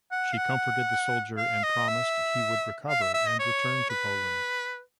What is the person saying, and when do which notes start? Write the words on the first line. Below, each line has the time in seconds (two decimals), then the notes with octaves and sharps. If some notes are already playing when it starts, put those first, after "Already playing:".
She comforted the soldier and promised he would recover and return to Poland.
0.11 F#5
0.33 F5
0.37 F#5
1.38 F5
1.63 D#5
1.88 E5
2.89 F5
3.01 E5
3.14 E5
3.27 D#5
3.40 C#5
3.90 B4